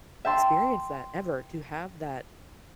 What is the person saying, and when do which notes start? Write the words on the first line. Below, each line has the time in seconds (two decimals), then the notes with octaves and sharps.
experience that, ever, to have that
0.25 E5 G5 A5 C6 E6